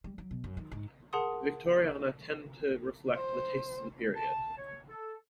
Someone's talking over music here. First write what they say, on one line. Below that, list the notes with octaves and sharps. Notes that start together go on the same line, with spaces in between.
Victoriana tend to reflect the tastes of the period.
G3
F#3
B2
F#2
D#3
G#2
G#4 A#4 F#5 A5 C6 D#6
C5
A5
C#5
A4